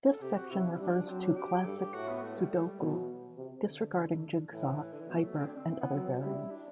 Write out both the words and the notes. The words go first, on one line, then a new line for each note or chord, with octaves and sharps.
This section refers to classic Sudoku, disregarding jigsaw, hyper, and other variants.
A4
C3 G4
F#4
C3 E4
D4
E4
G3
D4
F#3 C4
D4
G4
G2 A4
G4
A2 F#4
B3
A3
G3
A3
G3
B2 F#3
E3
C3
D3
A2 E3
D3
E3
B2 F#3
A3
D3 C4
D4
C4
E3
B3
F#3 C4
D4
G3 E4
D4